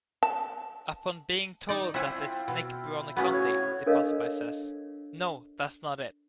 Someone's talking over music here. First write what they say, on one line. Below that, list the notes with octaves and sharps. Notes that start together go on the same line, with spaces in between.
Upon being told that it's Nick Buoniconti, the passerby says, No, that's not it.
A5
D#4 D5
C4 E4 F4 E5 F#5 G#5
B2
A2 C#3 B3 C#4 F#4 F#5
C#5
D4 A4 A#4 C#5 D#5 F5